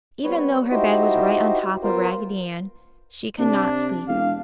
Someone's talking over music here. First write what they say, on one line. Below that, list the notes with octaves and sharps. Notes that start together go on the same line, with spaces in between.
Even though her bed was right on top of Raggedy Ann, she could not sleep.
G3 B3 C4 B4 C#5
D#4 E4 F#4 G4 C5
B3 F4 A#4 C5
C3 D4
E1 F5